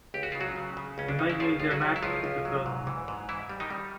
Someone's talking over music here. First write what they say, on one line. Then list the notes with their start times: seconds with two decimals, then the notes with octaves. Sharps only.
The men used their mattresses to fill the hole.
0.14 C#2 G4
0.23 F#4
0.32 C#3 F4
0.40 F#3 F#4
0.56 C#3
0.77 C#3
0.98 C#2 C#4
1.08 D4
1.19 C#3 D#4
1.30 E4
1.40 C#2 F3 F4
1.60 C#2 F4
1.71 F#3 F#4
1.81 F#3
1.96 E4
2.03 C#2 F3 F4
2.24 C#2
2.45 F#3
2.66 G#2
2.87 E3
3.08 G#2
3.29 E3 E4
3.49 G3
3.60 D#3 D#4
3.70 G3